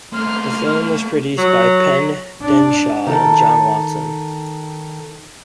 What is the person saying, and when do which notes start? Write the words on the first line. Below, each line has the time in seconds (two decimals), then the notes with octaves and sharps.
The film was produced by Pen Densham and John Watson.
0.13 A3 A#3 C6 F6
1.38 F#3
2.42 D4
3.07 D#3 A4